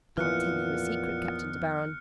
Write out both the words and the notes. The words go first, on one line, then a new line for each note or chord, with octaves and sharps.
I'll tell you a secret, Captain De Baron.
F2 A#2 E3 F3 B3 F6 F#6 C#7